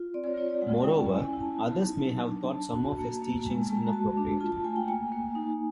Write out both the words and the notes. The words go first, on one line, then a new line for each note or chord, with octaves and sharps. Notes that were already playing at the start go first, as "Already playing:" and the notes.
Moreover, others may have thought some of his teachings inappropriate.
Already playing: F4
C4 D5
C#5
F4 C#5
D5
G#3 F#5
G5
C#4
G5
E4 G#5
G#5
E4
A5
B3
D#4
F#3
D4
D4 A5
F#4 A5
A#3
A#3
G#3 G#5
A5
G#3
A#5
F#4 A5
D4
F4 A5
A5
A3 G#5
G5
A#3 G#5
A#3
D#4